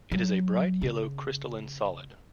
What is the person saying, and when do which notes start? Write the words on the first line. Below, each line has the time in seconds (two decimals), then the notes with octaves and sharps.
It is a bright yellow crystalline solid.
0.12 F#3
0.82 C#3